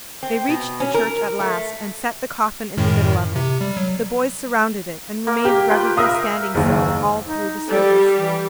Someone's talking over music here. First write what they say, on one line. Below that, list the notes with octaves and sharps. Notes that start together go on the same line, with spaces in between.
They reached the church at last and set the coffin in the middle of it. The boys surrounded it and remained reverently standing so, all through the service.
C4
B2
C#4
A#4
A3
F#2 A2 D#3
C3
G3
F#3
A#3 A#4 D6
G4
F4 B4 G5
A#4 E5 F5 A#5 D#6
F#1 D#2
D#4
G3 A4
E3